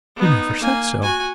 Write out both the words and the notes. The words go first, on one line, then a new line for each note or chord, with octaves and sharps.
"You never said so."
B3 D#4
A#3 G#5
F#4 G#5